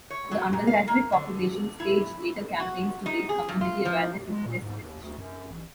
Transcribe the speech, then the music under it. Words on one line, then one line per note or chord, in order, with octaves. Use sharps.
The undergraduate population staged letter campaigns to raise community awareness and protest the decision.
C#5
F#3
A#2
F5
A#3
D3
E4
F#4
D#4
G#4
G2
F4
F3
G#3
A#2
G#2
D#2
D2
F#2
A1